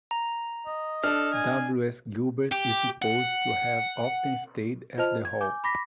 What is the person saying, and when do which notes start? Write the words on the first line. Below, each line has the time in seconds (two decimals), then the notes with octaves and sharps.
W. S. Gilbert is supposed to have often stayed at the Hall.
0.11 A#5
0.67 D#5
1.04 D4 A4 F6
1.34 G#5
2.52 G4
3.02 F#5
4.98 F4 C5 D#5 A5 F6 F7
5.25 G#6
5.40 G#5 D6 G6
5.64 B5 D6 A#6 B6